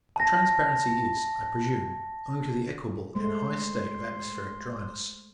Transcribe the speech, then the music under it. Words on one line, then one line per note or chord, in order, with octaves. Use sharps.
The transparency is, I presume, owing to the equable and high state of atmospheric dryness.
A5 A#6
G#3 A3 C5